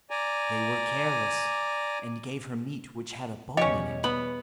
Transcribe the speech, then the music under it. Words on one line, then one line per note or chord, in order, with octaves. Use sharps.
They were careless, and gave her meat which had a bone in it.
D5 G#5 A#5
E2 B2 G3 C#4 G4 C#5 D#5
B3 B5